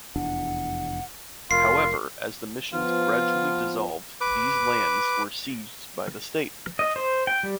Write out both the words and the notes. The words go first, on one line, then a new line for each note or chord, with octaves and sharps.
However, as the Mission gradually dissolved, these lands were seized by the state.
F1 E2 D4 F#5
F1 F4 A#4 C7
F3 B3 F4
B4 D6
D#5
C5
G5
G3